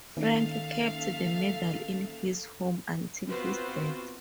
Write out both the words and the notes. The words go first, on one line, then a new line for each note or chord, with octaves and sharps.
Frank kept the medal in his home until his death.
D#3 A#3 C#4 D#4 A4 E5 F5
B3 C4 F4 F#4 B4 C5